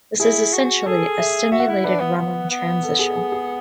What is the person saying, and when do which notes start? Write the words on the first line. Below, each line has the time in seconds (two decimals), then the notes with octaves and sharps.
This is essentially a stimulated Raman transition.
0.20 E4 G#4
0.53 F#4
0.86 G#4 A4
1.19 E5
1.51 F#4 E5
1.60 F#5
1.68 E4 E5
1.84 D4 B4
2.00 B3
2.17 B3
2.51 B3
2.83 A4
2.99 G#4
3.16 G#4
3.32 G#4